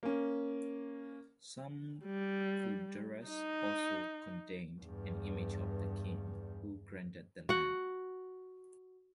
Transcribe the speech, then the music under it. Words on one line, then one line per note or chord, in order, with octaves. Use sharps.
Some kudurrus also contained an image of the king who granted the land.
A#3 C#4
G3
D#4
E2 G2
F#4 F#5